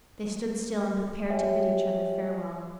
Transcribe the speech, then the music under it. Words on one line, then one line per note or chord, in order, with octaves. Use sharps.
They stood still and prepared to bid each other farewell.
G4 C#5 E5 G5 G#5